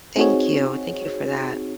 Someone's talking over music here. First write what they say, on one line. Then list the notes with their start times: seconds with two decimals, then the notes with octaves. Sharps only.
thank you, thank you for that,
0.16 C4 D#4 F#4 G#4 C#5